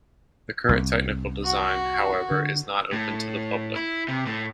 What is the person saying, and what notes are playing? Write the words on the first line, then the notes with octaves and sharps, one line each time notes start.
The current technical design, however, is not open to the public.
C2
F#4
D3
A2
E4
C3
A2